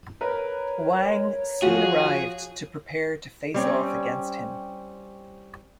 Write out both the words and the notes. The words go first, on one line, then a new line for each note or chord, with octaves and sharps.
Wang soon arrived to prepare to face off against him.
A#4 B4 C#5
F3 F4 F#4 G#4
G3 C4 C#4